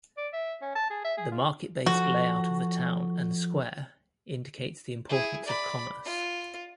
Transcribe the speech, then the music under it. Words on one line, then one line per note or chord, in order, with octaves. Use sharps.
The market based layout of the town and square indicates the importance of commerce.
D5
E5
C#4
A5
G#4
E5
G#4
F4
F3 F#4 A4
E4 G#4
D5 B5
F4